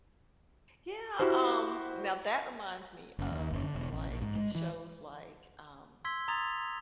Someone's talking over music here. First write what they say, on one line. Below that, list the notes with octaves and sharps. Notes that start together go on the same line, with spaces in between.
Yeah, um, now that reminds me of, like, shows like, um,
E4 F#4 G4 C5
F#1
D#2
F#1
D3
E1
A1
A#1
G#2
G#3
E3
C6 E6 G#6 B6 G7
A#5 C6 D#6 G#6 A6 F7